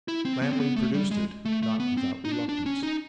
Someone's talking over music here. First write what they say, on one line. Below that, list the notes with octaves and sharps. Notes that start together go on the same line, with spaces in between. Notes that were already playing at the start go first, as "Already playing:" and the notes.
Lammle produced it, not without reluctance.
E4
C4
B3
C4
B3
A3
G3
G#3
A3
A3
B3
C4
D#4
D4
D4
C#4
D#4